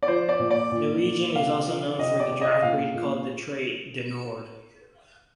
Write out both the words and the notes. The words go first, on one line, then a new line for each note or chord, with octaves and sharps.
The region is also known for the draft breed called the trait du Nord.
D5
F3 C5
D5
A#2
D5
A#2
A#2
C3 F5
F3
C3 D#5
D5
C3
D#5
A#2 F5
A#2